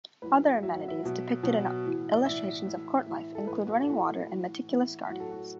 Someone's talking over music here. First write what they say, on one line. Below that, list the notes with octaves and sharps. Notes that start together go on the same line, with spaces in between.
Other amenities depicted in illustrations of court life include running water and meticulous gardens.
A2 F#3 B4
A2 F#3 E5
F#5
E5
B2 F#3
B2 F#3
A2 E3
D5
A2 E3 E5
A2 E3
A2 E3
A4
A2 E3 B4
F#4
A4
A2 E3 F#4
A2 E3
A2 E3 E4
A2 F#3 F#4
A4
F#4